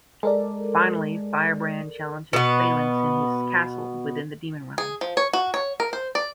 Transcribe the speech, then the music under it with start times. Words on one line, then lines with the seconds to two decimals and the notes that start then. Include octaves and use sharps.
Finally, Firebrand challenges Phalanx in his castle within the Demon Realm.
0.23 G#3 A4 A#4 D5
2.33 B2 B3
4.78 G#4
5.01 F3
5.17 C#5
5.33 F#4
5.54 C#5
5.80 A#4
5.93 C5
6.15 D5